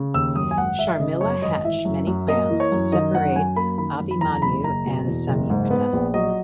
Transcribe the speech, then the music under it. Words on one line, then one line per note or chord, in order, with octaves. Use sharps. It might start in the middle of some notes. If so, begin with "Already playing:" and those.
Sharmila hatch many plans to separate Abhimanyu and Samyukta.
Already playing: C#3
D#2 E6
F#2 D#6
G#5
G#1 F#5
G#1 E5
C#3 D#5
F#2 C#5
G#1 D#5
E3 E5
F#2
F#2
A#3 D#5
E3
C#5
F#2
D#3 D#5
F#2 F#5
F#2 G#5
A#3 B5
D#3 B5
F#2
B5
E2 A#5
F#1 B5
F#1 A#5
B2
E2
F#1
G#2
B3
A#1
F#3 D#5